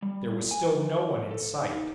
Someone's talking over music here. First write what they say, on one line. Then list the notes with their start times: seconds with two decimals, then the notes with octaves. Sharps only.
There was still no one in sight.
0.02 G3
0.51 G#5
0.71 F3
1.31 A4
1.63 D#4